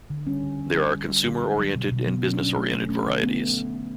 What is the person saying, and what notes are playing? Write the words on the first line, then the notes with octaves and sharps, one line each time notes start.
There are consumer oriented and business oriented varieties.
D3
G3 C#4
D3
G3
G3
G3
G3
D3
G3
F#3
B2
B2
F#3
F#3 C#4
D4
B2 C#4
A3
A3
A3 C#4
D3
A3 B3